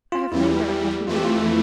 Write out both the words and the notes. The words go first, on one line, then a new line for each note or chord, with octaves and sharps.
I have no doubt that he will.
F4
E2 E3 G3 E4
G4
F2 E3 A3 F4
G4
F4
E4